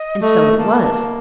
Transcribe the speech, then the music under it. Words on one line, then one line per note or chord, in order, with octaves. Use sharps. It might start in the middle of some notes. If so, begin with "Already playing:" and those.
And so it was.
Already playing: D#5
A3
A#3 A5
A5